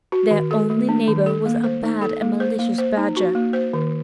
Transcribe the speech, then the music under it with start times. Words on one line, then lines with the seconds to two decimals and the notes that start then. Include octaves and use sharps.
Their only neighbor was a bad and malicious badger.
0.12 F#4
0.31 D#3
0.51 A4
0.70 A3
0.89 D4
1.08 D#3
1.26 A4
1.46 A#3
1.64 C5
1.83 D#4
2.02 A4
2.22 A#3
2.40 C5
2.59 A#3
2.78 C5
2.97 D#4
3.17 F#4
3.35 A#3
3.53 C5
3.73 D#3